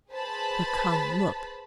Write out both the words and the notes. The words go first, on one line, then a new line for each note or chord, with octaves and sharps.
But, come--look!
G#4 B4 C5 A5 B5